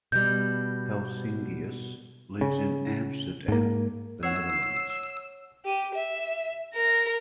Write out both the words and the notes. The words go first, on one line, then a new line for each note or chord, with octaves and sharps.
Helsingius lives in Amsterdam, the Netherlands.
B2 G3 G6
C#3
G#2 A#3
C#5 F#5 E6 C7
G4 D#7
E5
A#4 A#6